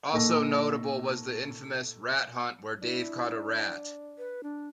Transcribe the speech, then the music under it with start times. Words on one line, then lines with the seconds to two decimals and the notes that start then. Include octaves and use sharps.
Also notable was the "infamous" rat hunt where Dave caught a rat.
0.12 A#2 A#3 D#4 A4 C#6 A#6
2.82 D4 E4
4.18 B4
4.43 D4